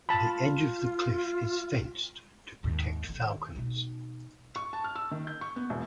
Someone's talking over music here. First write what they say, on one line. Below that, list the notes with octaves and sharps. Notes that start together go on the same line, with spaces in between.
The edge of the cliff is fenced to protect falcons.
F4 A5 B5
G#1 D#2
D3 D#3
B2 D#4
C#6
A5
F6
E6
D#3
G6
C#6
B3
E1